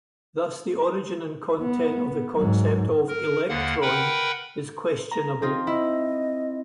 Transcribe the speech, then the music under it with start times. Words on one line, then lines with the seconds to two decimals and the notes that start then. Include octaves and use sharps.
Thus, the origin and content of the concept of "electron" is questionable.
1.62 B3
2.36 G#2 F#3
3.08 A#4
3.49 D#2 D3 A#3 F#5
3.82 A#4 B4 F#5 G5 B5
5.11 A#5
5.42 C4 D#4 F4
5.67 E4 D#5